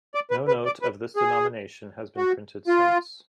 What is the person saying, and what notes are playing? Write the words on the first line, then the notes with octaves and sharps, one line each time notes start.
No note of this denomination has been printed since.
D5
B4
B4
D5
B4
G#4
F#4
F4